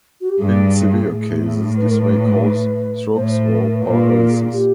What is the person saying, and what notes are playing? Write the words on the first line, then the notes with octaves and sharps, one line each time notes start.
In severe cases this may cause strokes or paralysis.
F#4
G4
G2 G#4
A2
B4
A#4
B4
A2 C5
C#5
C5
B4
A#4
B4
A#2 C5
B4
A#4
G#4
G4